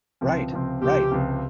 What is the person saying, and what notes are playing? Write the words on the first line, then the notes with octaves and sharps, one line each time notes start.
Right, right.
C#2 C3 F3 C4
C#2 C3 F3 C4
C#2 C3 F3 C4 G4
C#2 C3 F3 C4